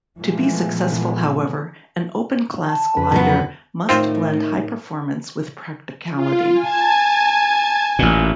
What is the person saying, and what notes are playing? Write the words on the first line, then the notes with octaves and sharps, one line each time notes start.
To be successful, however, an Open Class glider must blend high performance with practicality.
A#2 E3 F3 G#3 A3 B3
A5
F2 B4
C#3 F#3 B3
A2 D#3 C4 F4 C5
F4
G#5 A5 G#6
A1 A#2